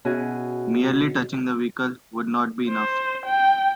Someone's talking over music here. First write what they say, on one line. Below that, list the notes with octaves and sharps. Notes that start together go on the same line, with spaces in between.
Merely touching the vehicle would not be enough.
B2 C#4 E4 F#4 G#4
C5
G5